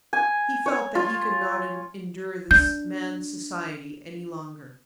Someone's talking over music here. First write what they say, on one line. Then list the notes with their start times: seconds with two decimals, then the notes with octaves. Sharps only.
He felt that he could not endure this man's society any longer.
0.13 G#5
0.66 C#5
0.95 F4
2.51 D4 G6